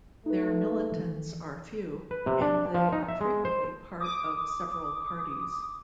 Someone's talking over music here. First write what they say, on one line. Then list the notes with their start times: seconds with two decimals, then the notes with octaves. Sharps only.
Their militants are few, and they are frequently part of several parties.
0.26 A3 D#4 B4
0.92 D#3 E3
2.11 B4
2.26 C3
2.42 D4
2.74 F3
2.92 D#4
3.08 E5
3.21 G#3
3.45 C5
4.00 D6 D#6